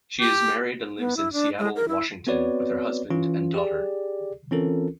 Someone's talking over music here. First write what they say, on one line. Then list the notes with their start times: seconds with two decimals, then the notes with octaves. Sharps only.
She is married and lives in Seattle, Washington with her husband and daughter.
0.21 G4
0.99 B3
1.17 E4
1.33 D4
1.59 G#3
1.76 A#4
1.89 E4
2.27 B3 C4 F#4 B4 C#5 D5
3.11 E3 C#4 F4
3.54 G4 G#4 D5
4.51 E3 C4 C#4 F4 A4 A#4